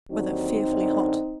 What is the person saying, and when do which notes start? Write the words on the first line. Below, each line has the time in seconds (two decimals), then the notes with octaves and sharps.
Weather fearfully hot.
0.10 D#2 D3 F#3 C4 D#4
0.64 F#2 D3 F#3